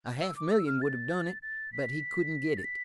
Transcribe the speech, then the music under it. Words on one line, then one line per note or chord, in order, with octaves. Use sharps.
A half million would have done it, but he couldn't get it.
E6
D6
E6
F6
A6
A6
B6
A6
B6